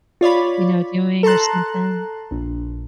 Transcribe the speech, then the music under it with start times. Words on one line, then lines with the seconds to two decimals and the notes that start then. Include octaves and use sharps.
you know, "doing?" or something.
0.21 F4 C#5 D5 B5
1.23 A4 A5 A#5 C6 F#6
2.31 A#1